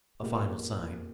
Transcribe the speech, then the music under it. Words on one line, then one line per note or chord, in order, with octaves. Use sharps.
A final sign.
A#2 G#3 B3 G4